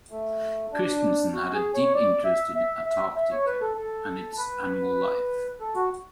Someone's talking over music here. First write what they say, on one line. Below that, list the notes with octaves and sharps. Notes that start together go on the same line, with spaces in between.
Christensen had a deep interest in Antarctica and its animal life.
A3
D4
F#4
G#4
C#5
D5
E5
E5
E5
E5
C#5
B4
A4
A4
B4
A4
F#4